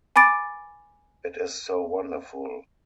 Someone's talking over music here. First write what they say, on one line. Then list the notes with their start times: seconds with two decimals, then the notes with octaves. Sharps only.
It is so wonderful.
0.16 G#5 B5 D6 A6 D7